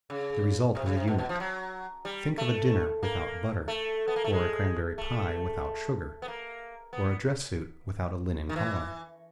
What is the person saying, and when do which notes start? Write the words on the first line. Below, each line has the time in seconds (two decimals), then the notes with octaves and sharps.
The result is a unit. Think of a dinner without butter, or a cranberry-pie without sugar, or a dress-suit without a linen collar.
0.10 C#3
0.75 C3
0.86 C#3
0.97 C3
1.07 B2
1.18 B2
1.29 F3
1.40 F#3
2.05 G3
2.38 A3
3.03 A#3
3.68 A3
4.08 B3
4.16 A#3
4.24 A3
4.33 G#3
4.98 A3
6.22 B3
6.28 A#3
6.93 B3
8.49 D#3
8.56 E3